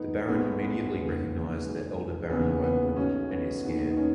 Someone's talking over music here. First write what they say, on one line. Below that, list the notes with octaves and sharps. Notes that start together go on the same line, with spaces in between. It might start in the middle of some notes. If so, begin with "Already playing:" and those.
The Baron immediately recognizes the elder Baron of Oakland and is scared.
Already playing: E2 B2 A3 B3 D#4
B1 A2 G#3 B3
B3
E1 D#2 C#3
B1 B2 G#3 B3
E1 D#2 C#3 E3 B3
B3
B3
B1 B2 F#3 A3 C#4
B3
E1 D#2 D#3 B3
D#4
C#4